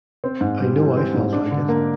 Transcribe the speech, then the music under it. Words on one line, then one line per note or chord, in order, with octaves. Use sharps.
I know I felt like it.
C4
G#2
G3
E3
C4
G#2
D4
D3
A#3